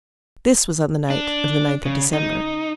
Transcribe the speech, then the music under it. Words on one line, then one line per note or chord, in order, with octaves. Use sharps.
This was on the night of the ninth of December.
D4
C#3
D#4